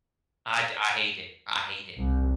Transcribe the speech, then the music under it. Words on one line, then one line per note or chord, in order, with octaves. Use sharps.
I d I hate it, I hate it.
C2